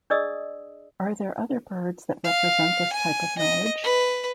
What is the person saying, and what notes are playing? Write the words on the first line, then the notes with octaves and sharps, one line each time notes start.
Are there other birds that represent this type of knowledge?
D4 G#4 D5 D#5 D#6 E6
F5
G#5
D#5
B4